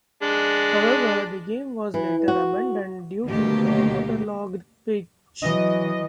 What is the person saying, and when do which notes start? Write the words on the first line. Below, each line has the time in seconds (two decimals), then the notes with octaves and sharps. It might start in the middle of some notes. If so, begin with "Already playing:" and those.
However, the game was later abandoned due to a waterlogged pitch.
0.22 G#3 D4
1.94 E3
2.28 F#4
3.26 D2 B2 D#3 A3 A#3 G4
5.42 E3 F#3 D#5